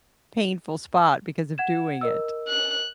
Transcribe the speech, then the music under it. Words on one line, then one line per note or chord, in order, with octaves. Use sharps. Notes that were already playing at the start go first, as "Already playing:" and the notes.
painful spot because of doing it.
F#5 G#6 E7
A#4 D#5 E6
F#6